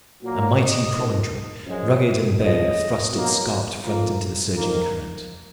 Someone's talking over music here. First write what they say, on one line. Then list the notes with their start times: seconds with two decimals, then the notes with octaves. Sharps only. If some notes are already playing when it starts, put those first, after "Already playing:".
A mighty promontory, rugged and bare, thrust its scarped front into the surging current.
0.22 A#2 F#3 A#3
0.58 D#5
0.95 F2 D#3 G#3
1.66 F#2 F3 G#3
2.39 F2 C#3 F3 G#3 D#5
3.11 B2 F#3 A#3
3.83 F2 F3 A#3
4.55 F2 D#3 A#3